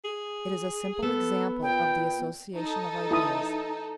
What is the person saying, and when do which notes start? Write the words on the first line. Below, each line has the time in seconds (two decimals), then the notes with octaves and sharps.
It is a simple example of the association of ideas.
0.04 G#4
1.02 B3 A4
1.62 A#2 G5
2.57 D#4 A4
3.11 E4 A5 D#6